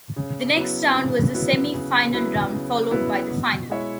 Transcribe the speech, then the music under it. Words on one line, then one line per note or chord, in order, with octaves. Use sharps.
The next round was the semifinal round, followed by the final.
C#3
F#3 B3 E4 B4
C#3
F#3 B3 E4 B4
C#3
F#3 B3 E4 B4
C#3
F#3 B3 E4 B4
B2
G#3 E4 C#5 E5